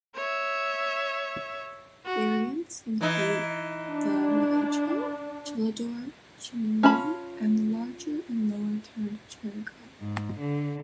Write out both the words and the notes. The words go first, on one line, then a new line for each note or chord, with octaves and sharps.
Variants include the walaycho, chillador, chinlili, and the larger and lower-tuned charangon.
C#5 E5
F#4
E3 D#4
D4
C#4 F4 A5 B5
G#2
D3